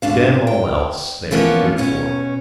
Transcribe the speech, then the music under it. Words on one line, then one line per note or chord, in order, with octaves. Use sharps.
Damn all else they are good for.
D2 G#2 D4 F5
G5
E3 F3 A#3 B3 C#4
B2 C#4